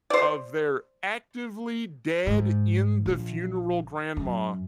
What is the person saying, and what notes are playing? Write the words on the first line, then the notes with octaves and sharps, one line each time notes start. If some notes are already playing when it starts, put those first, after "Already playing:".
of their actively dead in the funeral grandma.
C5 D5
G#2
A#1
F#2